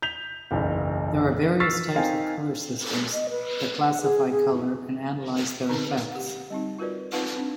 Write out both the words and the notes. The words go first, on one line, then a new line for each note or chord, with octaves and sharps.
There are various types of color systems that classify color and analyse their effects.
G6 B6 F7
F#1 B1 E2
C#6 E6 F6 A6 B6 C7
C4 D#4 A#4 F5 G5 G#5
D#5
B4
F#5
G#4
G#4
D3 C4 D#4 A#4 B4 A#5
G4 F#5
G3 C4 D#4
F4 F#4 A#4 B4 D5
C4 D#4 F4 B4 F5 F#5
C4 D4